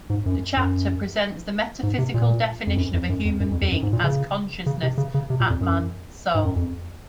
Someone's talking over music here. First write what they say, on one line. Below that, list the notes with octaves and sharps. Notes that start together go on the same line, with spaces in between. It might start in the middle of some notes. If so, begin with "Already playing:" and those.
The chapter presents the metaphysical definition of a human being as Consciousness, Atman, Soul.
G#2
F#2
F#2
G#2
C3
A#2
F2
F#2
F2
F#2
F2
F#2
F2
F2
F#2
G#2
A#2
C#3
C#3
C3
C#3
C#3
C3
A#2
F2
F#2
G#2
F#2
F2